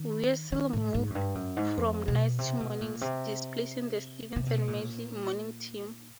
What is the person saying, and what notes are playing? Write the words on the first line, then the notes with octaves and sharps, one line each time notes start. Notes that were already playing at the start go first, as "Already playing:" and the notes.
Weasel moved from nights to mornings, displacing the Stevens and Medley morning team.
Already playing: D#3
D#3
A2
G#2
F#2
G2
F#2
G#2
F2
B2
C3
B2
A#2
C3
C3
B2
A#2